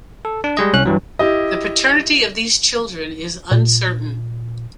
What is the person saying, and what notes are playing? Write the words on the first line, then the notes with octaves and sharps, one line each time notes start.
The paternity of these children is uncertain.
A4
D4
G3 G#3 D#5
C2 C#4 F#6
G2 E3 F#3
E4 G4 D#5
A#2